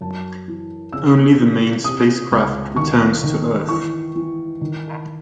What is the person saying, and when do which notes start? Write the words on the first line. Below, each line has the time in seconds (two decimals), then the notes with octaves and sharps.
Only the main spacecraft returns to Earth.
0.01 F#2 A5
0.48 E3
0.93 C#3 E6
1.39 E3
1.84 C3 D#6
2.32 C#2
2.76 D#3 C#6
3.24 D#3
3.69 E3 C#6
4.15 E3
4.61 D#3